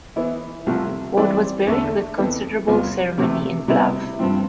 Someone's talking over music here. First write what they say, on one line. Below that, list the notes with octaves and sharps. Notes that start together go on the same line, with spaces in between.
Ward was buried with considerable ceremony in Bluff.
E3 B3 E4
C2 C3 F3 A3
E3 G3 C4 G4 D5
E2 D3 A3 D4 A4
F2 E3 B3
E2 C3 G3 B3 F4
D2 C3 E3 A3
C3 G3 B3 E4
G2 F3 C4